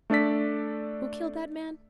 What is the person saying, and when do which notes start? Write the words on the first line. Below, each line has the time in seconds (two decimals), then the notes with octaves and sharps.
Who killed that man?
0.10 A3 D4 A4 D5 B6